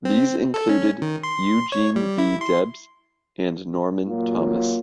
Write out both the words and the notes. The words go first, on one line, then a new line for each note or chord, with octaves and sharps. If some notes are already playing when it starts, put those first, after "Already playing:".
These included Eugene V. Debs and Norman Thomas.
C4
A4
C#4
D#3
C6
C#5
G3
E4
C6
F#3 A#3 F4